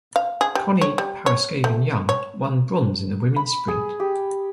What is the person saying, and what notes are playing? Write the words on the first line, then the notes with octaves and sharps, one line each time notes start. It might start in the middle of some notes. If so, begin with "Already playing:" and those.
Connie Paraskevin-Young won bronze in the women's sprint.
F5
G#4
G3
C#5
G3
C#5
A3
C#5
B5
G#4
G4